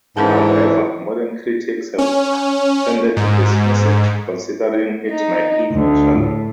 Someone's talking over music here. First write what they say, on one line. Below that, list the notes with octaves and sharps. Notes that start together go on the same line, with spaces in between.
However, modern critics have tended to dismiss it, considering it naive and shallow.
G#2 D3 E3 F3 C#4 A#4 A5
C#4
G#2
D#4
D2
A2